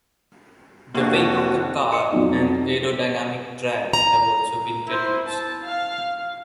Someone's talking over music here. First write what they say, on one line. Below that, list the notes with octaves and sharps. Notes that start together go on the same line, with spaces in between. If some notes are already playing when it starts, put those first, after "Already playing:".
The weight of the car and aerodynamic drag have also been reduced.
F1 A#3 D4 F#4
D#5 C6 C#7
F2 F#3 D#4 D5
A#5
E4 C5
A5
F5